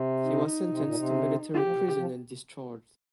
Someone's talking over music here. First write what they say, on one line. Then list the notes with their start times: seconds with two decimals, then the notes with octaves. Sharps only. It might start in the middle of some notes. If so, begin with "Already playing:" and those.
He was sentenced to military prison and discharged.
Already playing: C3
0.26 D#4
0.69 C3
0.82 A#2
0.95 C3
1.54 C#3 G4
1.64 F3
1.75 C3
1.85 C3
1.96 F3